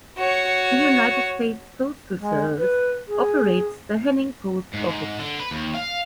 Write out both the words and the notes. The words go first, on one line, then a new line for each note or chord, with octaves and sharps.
The United States Postal Service operates the Henning Post Office.
F#4 C#5
G#3
B4
G#4
G#2
G#2
D3
B4
D#2
F5